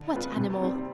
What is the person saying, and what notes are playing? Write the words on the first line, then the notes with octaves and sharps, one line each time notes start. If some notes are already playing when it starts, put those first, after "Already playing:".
"What animal?"
Already playing: D3
G#3 C4 F4 B4
C3
G3 C4